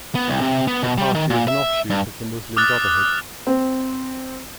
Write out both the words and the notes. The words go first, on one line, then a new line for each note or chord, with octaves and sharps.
The party is an offshoot of the Muslim Brotherhood.
B3
C2
C3
B3
B2
G3
D#3
A#2
E5
G2
D6 D#6 F6 F#6 A6
C4